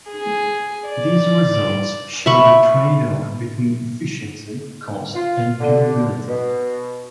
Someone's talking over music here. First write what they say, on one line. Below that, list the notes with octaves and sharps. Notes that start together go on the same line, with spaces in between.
These results show the trade-off between efficiency, cost, and durability.
G#4
D5
E5 B5 C#6
F4
D3
B2